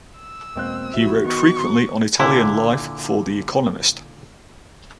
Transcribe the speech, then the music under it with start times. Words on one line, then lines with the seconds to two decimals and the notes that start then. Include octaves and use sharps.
He wrote frequently on Italian life for "The Economist".
0.19 E6
0.55 E2 B2 G#3 A#3 C4 F#6
0.94 A#1 A2 F3 F#4 E5
1.25 D#3 B3 C#6
2.20 A#2 D3 E4